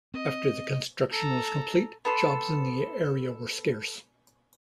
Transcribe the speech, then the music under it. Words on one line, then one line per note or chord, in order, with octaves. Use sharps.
After the construction was complete, jobs in the area were scarce.
C4 D#5
A4 A#5
B3 A4 C6